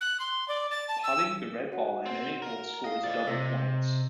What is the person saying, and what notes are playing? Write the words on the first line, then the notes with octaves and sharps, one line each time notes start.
Potting the red ball in any hole scores double points.
F#6
C6
D5
A6
A5
E6
F#4 C#5 F#5
C4
A#4
D#5 F5 C7
F4 A4 C5 D5 D#5
C3 D#5 E6 A#6